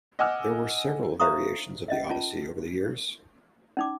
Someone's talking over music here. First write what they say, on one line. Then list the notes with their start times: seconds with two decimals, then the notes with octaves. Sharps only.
There were several variations of the Odyssey over the years.
0.19 D#5 F#5 G#5 D6 E6 F6
1.20 C5 E5 F5 A#5 C#6 D#6
1.88 C#4 D#5 E5
2.09 C#4 F4 A5
3.77 C#4 D#4 D6